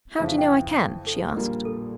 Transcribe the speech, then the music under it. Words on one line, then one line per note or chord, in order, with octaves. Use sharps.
"How do you know I can?" she asked.
F2 C#3 E3 E5
F5
G5
A4
A#1 A#2 G3 A#3
A4